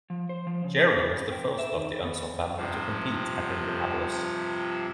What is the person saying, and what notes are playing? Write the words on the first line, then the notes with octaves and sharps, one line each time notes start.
Jerry was the first of the Unser family to compete at Indianapolis.
F3
C5
F3
C#3
A4
B3
G5
E5
D#3
B3
G2 C3 F3